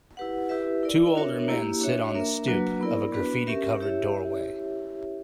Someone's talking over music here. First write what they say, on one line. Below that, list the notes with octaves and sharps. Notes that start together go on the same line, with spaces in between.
Two older men sit on the stoop of a graffiti covered doorway.
E4 G4 B4 F#5
E4 G4 B4 E5
E4 A#4 D5
D4 F#4 A#4 C#5 E5
A#3 E4 G4
D4 F#4 C#5 E5
A#3 D4 A#4 E5
F#3 A#3 D4 F#4 B4
B3 E4 A#4 D5
B3 D4 F#4 B4
C#4 G4 A#4 E5
E4 G4 C#5 E5